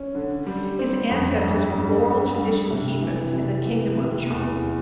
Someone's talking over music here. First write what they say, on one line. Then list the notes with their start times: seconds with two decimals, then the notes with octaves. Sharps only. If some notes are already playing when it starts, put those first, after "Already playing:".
His ancestors were oral tradition keepers in the kingdom of Djougou.
Already playing: C#4
0.15 D3
0.46 G3
0.79 C4
1.11 F2
1.42 G2
1.75 G2
2.07 G2
2.38 G2
2.70 C3
3.02 E3
3.33 C3
3.66 E3
3.97 C3
4.30 E2